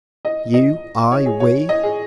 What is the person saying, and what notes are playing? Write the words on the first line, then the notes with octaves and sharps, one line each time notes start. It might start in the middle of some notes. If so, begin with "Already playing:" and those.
You, I, we.
D#5
D#5
C#5
G#4
C#5
D#5
G#4